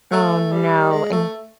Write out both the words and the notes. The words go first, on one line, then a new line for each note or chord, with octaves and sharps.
Oh, no, and
A3
G3
G#3
A3